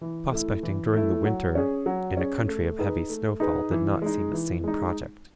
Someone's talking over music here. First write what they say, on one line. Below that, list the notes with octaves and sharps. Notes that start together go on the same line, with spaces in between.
Prospecting during the winter in a country of heavy snowfall did not seem a sane project.
E3
A3 E4
E3
A3 E4
F#3
C#4 G#4
F#3
C#4 G#4
A3
D#4 G#4 B4
A3
D#4 G#4 B4
E3
G#3 D#4
E3
G#3 D#4